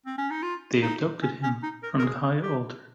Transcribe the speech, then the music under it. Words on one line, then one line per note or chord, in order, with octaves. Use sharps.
They abducted him from the high altar.
C4
C#4
D#4
F4
D#4
C#4
C#4
D#4
A#4
A#4
G#4
G4